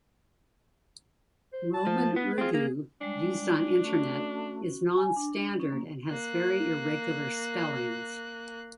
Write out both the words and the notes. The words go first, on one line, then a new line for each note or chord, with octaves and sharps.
Roman Urdu used on Internet is non standard and has very irregular spellings.
C5
A5
F3
B3 B4
C4 F4 G#4
A#3
G3 G#3 D4
A3 C#4 F#4
G#5
D4
C#4
A#3
A#3 F#6